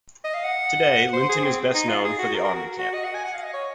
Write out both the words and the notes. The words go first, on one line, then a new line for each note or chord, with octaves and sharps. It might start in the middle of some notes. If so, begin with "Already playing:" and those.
Today Linton is best known for the army camp.
D#5
F5
F#5
C5
G#4
C4
D#4
F4
G#4
F#4
A#4
A#4
F#4
F#4
D#5
F#5
G#5
F#5
F5
D#5
C#5